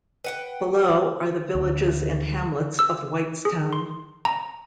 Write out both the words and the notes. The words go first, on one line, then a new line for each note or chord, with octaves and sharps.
Below are the villages and hamlets of Whitestown.
B4 F#5 G5
D2
E6
G#4
C6
A#5